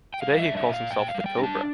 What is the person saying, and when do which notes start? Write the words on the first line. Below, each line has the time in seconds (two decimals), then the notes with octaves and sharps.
Today he calls himself "The Cobra".
0.14 G5
0.22 G3 F5
0.39 E5
0.45 D4
0.57 E5
0.69 A#2
0.74 F5
0.91 A#2 G5
1.08 F5
1.14 G3
1.20 F5
1.26 G5
1.38 D4
1.43 A5